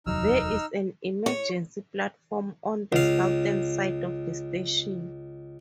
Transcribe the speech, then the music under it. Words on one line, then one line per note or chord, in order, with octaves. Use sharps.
There is an emergency platform on the southern side of the station.
F1 D#2 F#3 D#4 E6 F6
C#5
C#2 F5